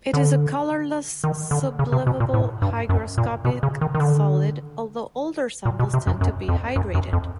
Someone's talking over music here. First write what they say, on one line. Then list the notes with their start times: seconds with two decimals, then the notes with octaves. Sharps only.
It is a colorless, sublimable hygroscopic solid, although older samples tend to be hydrated.
0.13 D3
1.24 D#3
1.51 D3
1.79 C#3
1.92 C3
2.07 B2
2.20 A#2
2.34 A2
2.62 G2
2.89 F#2
3.18 A#2
3.45 B2
3.63 C#3
3.81 D#3
3.95 D#3
4.00 D3
5.65 A#2
5.79 B2
5.94 C3
6.07 F#2
6.21 F#2
6.48 F2
6.76 F#2
6.95 F#2
7.13 F2